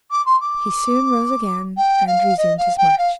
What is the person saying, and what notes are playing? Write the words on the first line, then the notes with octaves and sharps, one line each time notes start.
He soon rose again and resumed his march.
D6
C6
D6
G5
F5
D#5
F5
G5
F5